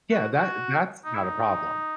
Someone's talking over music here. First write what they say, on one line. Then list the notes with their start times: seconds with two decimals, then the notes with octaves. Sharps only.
Yeah, that that's not a problem.
0.12 F#4
0.35 F#4
1.05 D#4
1.14 E4
1.23 D#4